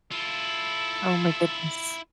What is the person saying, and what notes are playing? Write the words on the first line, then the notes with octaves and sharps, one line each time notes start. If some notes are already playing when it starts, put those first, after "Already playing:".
Oh my goodness.
E4 F4 A4